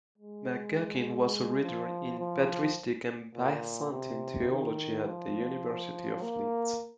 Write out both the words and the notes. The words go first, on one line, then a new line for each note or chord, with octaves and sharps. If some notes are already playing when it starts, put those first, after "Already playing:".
McGuckin was a Reader in Patristic and Byzantine theology at the University of Leeds.
G#3
F3
F3
A#2
C3
D#3
F3
A#3